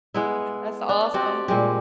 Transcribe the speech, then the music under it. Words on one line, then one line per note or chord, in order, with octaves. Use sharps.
That's awesome.
G#3 B3 E4
D4
C4 F#4 G4 D5
A#2 G3 G#3 G4